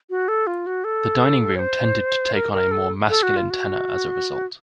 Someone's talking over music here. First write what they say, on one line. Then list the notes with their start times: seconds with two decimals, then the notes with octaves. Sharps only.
The dining room tended to take on a more masculine tenor as a result.
0.10 F#4
0.28 A4
0.47 F4
0.66 F#4
0.84 A4
1.56 C#5
1.59 C5
2.34 A#4
2.53 A#4
2.71 A4
3.09 A4
3.23 F#4
3.37 F4
3.50 F#4